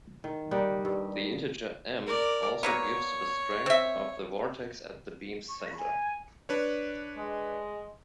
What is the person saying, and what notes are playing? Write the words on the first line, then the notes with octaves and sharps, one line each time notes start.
The integer "m" also gives the strength of the vortex at the beam's centre.
D#3
G3 A#3 D#4 F#5
G2
A#4 D5
F#3 A#3 B3 C#5
C4 E5
C#6
G#5
D4 B4 C#5
G#3